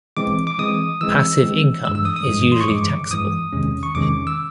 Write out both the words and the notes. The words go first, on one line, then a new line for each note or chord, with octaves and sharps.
Passive income is usually taxable.
E3 G#3 C4 D6
D6
E3 G#3 C4 D#6
E3 G#3 C4 E6
E3 G#3 C4
G2 E3 G#3 E6
E6
D#6
D#6
G2 E3 G#3
C6
C#6
G2 E3 G#3 D6
G2 E3 G#3 D#6
E2 C3 D#3 G#3 C#4
C#6
E2 C3 D#3 G#3 C#4 D6
E6